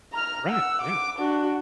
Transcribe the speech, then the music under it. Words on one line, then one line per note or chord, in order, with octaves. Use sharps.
right? Yeah,
A#5 F6
F#5 E6
D6
D4 F#4